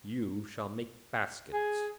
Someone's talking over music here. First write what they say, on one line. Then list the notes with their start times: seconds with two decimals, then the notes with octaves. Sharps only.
You shall make baskets.'
1.53 G#4